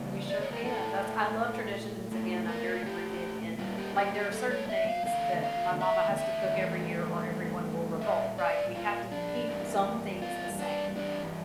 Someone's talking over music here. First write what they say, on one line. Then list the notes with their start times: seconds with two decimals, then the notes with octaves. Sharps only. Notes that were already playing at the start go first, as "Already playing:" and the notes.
You sure can, that's I love traditions. Again, I'm very rooted in like, there are certain things that my mama has to cook every year or everyone will revolt, right? We have to keep some things the same,
Already playing: C#3 E3 G3 A#3
0.30 D5
0.41 C#5
0.53 A#4
0.65 A#2 A3 A4
2.11 A#2 A3
2.48 A#4
2.75 F4
2.86 G4
3.59 A#2 G3 A#3 F4
3.78 G4
3.96 G4
4.14 G4
4.33 A4
4.51 C#5
4.69 E5
4.88 F5
5.06 E2 D3 A3 F5
5.43 F5
5.81 E5
6.17 E5
6.54 G2 E3 A3
8.01 A#2 G3 E5
8.38 D5
8.75 F4
9.12 D4
9.49 G2 E3 G3 A#3
10.22 F4
10.59 D4
10.96 G2 E3 G3 D4